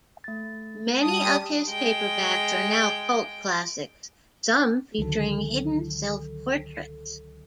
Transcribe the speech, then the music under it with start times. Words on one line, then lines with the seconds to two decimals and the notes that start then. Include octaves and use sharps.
Many of his paperbacks are now cult classics, some featuring hidden self-portraits.
0.24 A3 A6
1.01 G3 A5 D#6
1.68 G#3 G5
4.98 C#2 D3 D#3 F#3 A4